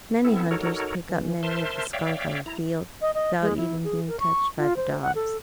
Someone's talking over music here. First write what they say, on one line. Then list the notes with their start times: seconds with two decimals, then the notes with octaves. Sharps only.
Many hunters pick up many of the skunk on the field, without even being touched by the dogs.
0.25 B3 C4 E4 A4
0.51 D#4 F#4 A4 A#4 C#5
1.09 E3
1.43 A#4 C5 E5 A5 C6
1.93 C#5 D5 E5 F5 G5
2.46 E4 A#5
3.01 D#5
3.14 D#5
3.41 G#3
3.57 E4
3.84 G#4
4.08 A#4
4.20 C#6
4.58 F4
4.77 C5
5.02 F#5
5.15 A4